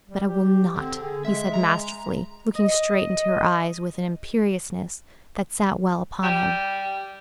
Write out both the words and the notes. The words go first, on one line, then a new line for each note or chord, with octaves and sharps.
"But I will not," he said masterfully, looking straight into her eyes with an imperiousness that sat well upon him.
G3
G4
D3 C4
G#4
G#3 E5
A#5
D#5
G3